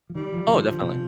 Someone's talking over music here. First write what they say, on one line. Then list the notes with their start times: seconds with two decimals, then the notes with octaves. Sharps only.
Oh, definitely.
0.10 F3
0.15 D#3 G3
0.34 F3
0.47 D3
0.52 D#3 F3
0.71 D3
0.81 B2
0.90 C3